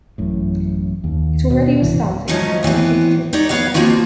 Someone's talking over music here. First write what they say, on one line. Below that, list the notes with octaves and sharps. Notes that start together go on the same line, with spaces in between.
It already was starting and I wanted to take it from there.
A1 F#2 A2
D#2
B2
A#1 G2 C3 E3
G#2 F3 F#3 A3 C#4 D#4
A2 E3 B3 C4
D#4 G4 C#5 D5
B3 B4 C#5 F5 F#5
F3 G#3 A#3 C4 F4 F#4